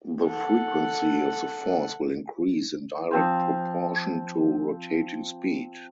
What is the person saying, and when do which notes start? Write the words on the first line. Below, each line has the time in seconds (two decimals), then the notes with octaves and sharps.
The frequency of the force will increase in direct proportion to rotating speed.
0.24 A4 F#5
3.11 F3 C4 C5